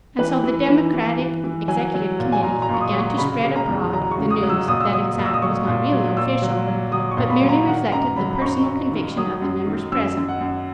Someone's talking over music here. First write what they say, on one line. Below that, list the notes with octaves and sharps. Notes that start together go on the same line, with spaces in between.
And so the Democratic Executive Committee began to spread abroad the news that its act was not really official, but merely reflected the "personal conviction" of the members present.
E3 B4
E3
E3
E3
E3
E3
F#3 G#5
F#3
A#2
G#5
A#2 A#5
A#5
A#2 C#6
D#6
F#3
C#6
C#3 B5
C#3
A#5
E2
F#3 A#5
C#6
C#3
D#6
F#3
E6
A#2 D#6
E6
F#3 D#6
A#2
E6
D#6
F#3 C#6
A#2
F#3
A#2 E6
F#3
F#3
F#3 D#6
C#6
A#2
B5
F#3
A#5
D#3 F#5
F#2 A#5
F#3 B5
B5
F#2 C#6
F#2
D#3
F#3 D#6
F#2
D#3
F#2 E6
F#2
F#5
F#2